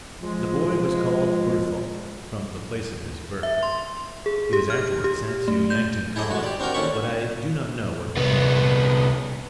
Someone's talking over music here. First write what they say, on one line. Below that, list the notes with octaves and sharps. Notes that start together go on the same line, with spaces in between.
The boy was called Berthold, from the place of his birth. He was afterward sent to Yankton College, but I do not know what became of him.
F3 G#3
E5
C6
G#4
G4
F6
G4
A3
G6
E4 G#4 A4 D#5
G#3 F#4
G4 D5
C4 D4 F#4 A#4
D#2 C#4 A4 B5 C#6
C2 B3